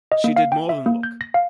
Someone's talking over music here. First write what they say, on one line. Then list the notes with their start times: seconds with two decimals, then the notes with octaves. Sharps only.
She did more than look.
0.12 D#5
0.24 A#3
0.36 F5
0.52 G5
0.69 E5
0.86 A#3
1.03 G6
1.21 A#6
1.34 F5